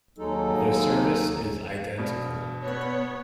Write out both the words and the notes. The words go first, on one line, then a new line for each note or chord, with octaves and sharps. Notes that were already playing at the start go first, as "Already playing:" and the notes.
The service is identical.
D#2 F#3 G#3 D#4 A4
G2 B2
B3 C#5